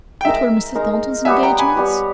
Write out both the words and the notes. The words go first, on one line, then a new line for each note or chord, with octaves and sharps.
What were Mr. Thornton's engagements?
G5
G#3 D#4 A#4 E5
G#3 D#4 A#4
G3 B3 G4 C#5 E5 G#5
G5 A#5
G#5 B5
G3 B3 G4 C#5